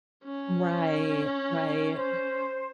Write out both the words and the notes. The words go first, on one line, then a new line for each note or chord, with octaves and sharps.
Right, right.
C#4
C5